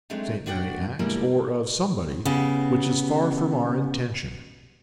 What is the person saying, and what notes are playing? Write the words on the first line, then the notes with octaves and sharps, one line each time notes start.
Saint Mary Axe, or of somebody: which is far from our intention.
F#3 G#3 A3 C4 D4 D#4
A#2 D4 F#4 D5 F#5 G5
B2 D3 G3 G#3 A#3 E4
C#3 B3 G4